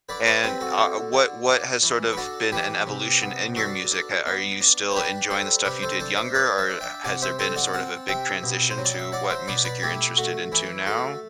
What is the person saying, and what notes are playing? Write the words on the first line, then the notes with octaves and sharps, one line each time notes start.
And, uh, what what has sort of been an evolution in your music? Uh, are you still enjoying the stuff you did younger, or, eh, h has there been a sort of a big transition to what music you're interested into now?
D3 B4 D5
B4 D5
C4 G4 B4
F#4 A4
D3
D3
D4
E3
B4
D4 F#4 A4
E3 G4 B4
C3
B3
D4 F#4 A4
D4
B3
D4
C5
D4 G4 B4
G3 A4 C5
C3 G4 B4
A4 C5
D4 A4 C5
C5 E5
D4 B4 D5
C5 E5
D4
E5 G5
C3 D5 F#5
C5 E5
C4 A4 C5
D5 F#5
C4 F#5 A5
C3 E5 G5
B2
C5
F#3
D5
E5
F#3 D5 F#5
C5 E5
B2 B4 D5
B4 D5
A3 E4 G4
A3 F#4
E3 E4
A3 F#4 A4